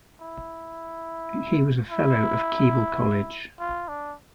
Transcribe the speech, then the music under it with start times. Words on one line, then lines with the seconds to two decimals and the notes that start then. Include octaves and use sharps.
He was a Fellow of Keble College.
0.20 E4
1.90 E4
3.59 F4
3.88 D4